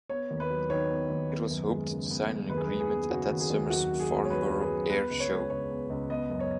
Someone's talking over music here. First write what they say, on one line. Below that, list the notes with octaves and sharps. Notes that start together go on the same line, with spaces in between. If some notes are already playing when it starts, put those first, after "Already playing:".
It was hoped to sign an agreement at that summer's Farnborough Air Show.
B3 C#5
D#2
B4
F#3
D#3 C#5
B3
D#2
B3
F#2
G#3
C#3
B3
F#2
D#2 B4
G#4
B4
D#2
G#4
B3
C#3 F#4
D#2
G#4
D#2
F#2 F#4
F#2
G#4
B3
C#5
F#3 B4
F#2
G#4
F#2
B3 B4
C#2
C#5
G#3
C#3 C#5
B3
C#2
B3 D#5
F#2
C#5